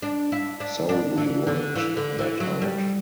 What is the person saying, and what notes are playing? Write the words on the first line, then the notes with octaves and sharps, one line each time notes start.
So we worked that out.
D4
E4
D4
D4
E3
D3
E3
D3
E3
F#3
G3